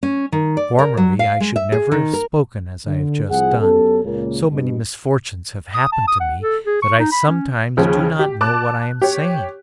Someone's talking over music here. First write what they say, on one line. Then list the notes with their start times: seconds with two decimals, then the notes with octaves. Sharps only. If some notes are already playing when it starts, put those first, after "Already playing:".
Formerly I should never have spoken as I have just done; so many misfortunes have happened to me, that I sometimes do not know what I am saying.
0.03 C#4
0.32 D#3
0.57 D5
0.79 A#4
0.97 F#3
1.19 F5
1.40 G#3
1.56 E5
1.72 G#4
1.91 D#3
2.13 A#4
2.86 D3
3.30 C2 F3 G#4 F#5
3.61 F#2 B3 C#4 G4 A4
4.04 C#2 A#2 C#3 A#3
4.51 G2 B2
5.74 D#6
5.92 A5
6.08 D#6
6.20 F#5
6.41 A4
6.66 G#4
6.82 C#6
6.99 D#4
7.11 B5
7.28 C#4
7.77 D#2 C#3 F3
8.19 G4
8.41 A5 D6 F#6
9.02 G4 C#5